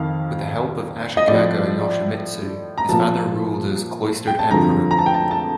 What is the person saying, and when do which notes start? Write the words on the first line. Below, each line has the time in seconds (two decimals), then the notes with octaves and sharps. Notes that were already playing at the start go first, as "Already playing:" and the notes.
With the help of Ashikaga Yoshimitsu, his father ruled as Cloistered Emperor.
Already playing: F2 D#3 F5
1.17 D#5
1.28 A2 F3 D5
2.78 A#5
2.89 A#2 F3 A5
4.27 G5
4.39 A5
4.50 F2 D3 F3 A#5
4.91 A#5
4.99 A5
5.06 G5
5.14 A5
5.31 A5